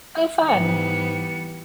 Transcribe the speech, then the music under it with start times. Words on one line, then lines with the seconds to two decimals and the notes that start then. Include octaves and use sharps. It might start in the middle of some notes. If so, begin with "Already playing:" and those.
Oh fun.
0.48 G#2 E3 G3 B3 C#7